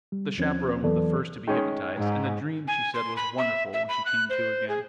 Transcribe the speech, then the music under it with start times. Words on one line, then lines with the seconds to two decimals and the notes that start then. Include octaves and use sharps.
The chaperone was the first to be hypnotised, and the dream, she said, was wonderful, when she came to again.
0.12 G3
0.37 D#2 F3 C4 C#4 G#6
0.84 E2 E3 F#3 B3 A4 D5
1.47 D#3 G#3 C#4
1.97 G#2
2.68 G#5
2.94 C6
3.16 B5
3.38 E5
3.73 E5
3.89 B5
4.06 F#6
4.29 C5
4.69 G#4